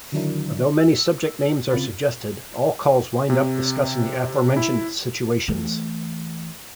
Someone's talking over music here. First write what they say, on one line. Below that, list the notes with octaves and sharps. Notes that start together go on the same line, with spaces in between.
Although many subject names are suggested, all calls wind up discussing the aforementioned situations.
D3 D#3 F#3 D4 E4 A#4
E6
C#3 C4 F4 B5 A6
C3
E4
E3 A3